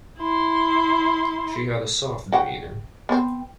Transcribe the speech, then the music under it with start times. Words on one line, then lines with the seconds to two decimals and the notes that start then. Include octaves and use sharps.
She had a soft demeanour.
0.19 E4 C6
2.32 F#4 F#5 G5
3.09 B3 C4